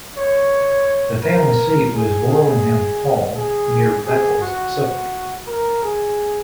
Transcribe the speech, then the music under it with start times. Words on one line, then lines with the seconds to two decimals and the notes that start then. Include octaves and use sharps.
The family seat was Worlingham Hall, near Beccles, Suffolk.
0.17 C#5
1.23 A#4
1.94 G#4
2.29 G#4
3.35 G#4
4.06 G#4
4.41 F#4
5.47 A#4
5.82 G#4